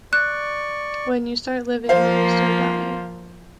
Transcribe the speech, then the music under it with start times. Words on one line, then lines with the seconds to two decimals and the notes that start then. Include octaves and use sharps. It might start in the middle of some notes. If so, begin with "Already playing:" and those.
When you start living, you start dying.
0.13 D5 C#6 F#6
1.89 F3 A#3 F4 C5 F5